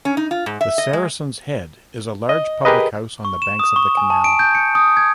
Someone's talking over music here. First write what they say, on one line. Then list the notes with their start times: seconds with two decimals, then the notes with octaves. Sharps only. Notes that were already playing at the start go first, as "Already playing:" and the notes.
The Saracen's Head is a large public house on the banks of the canal.
0.05 C#4
0.17 D#4
0.31 F4
0.46 G#2
0.61 E5
0.78 D#5
0.93 G#3
2.29 D#5
2.65 G4 G#4 A#4 B4 D#5
3.25 C#6
3.42 E7
3.59 D#6
3.76 C#6
3.97 G#5
4.10 A5
4.24 D7
4.39 G6
4.55 C#7
4.75 D#6
4.97 G#6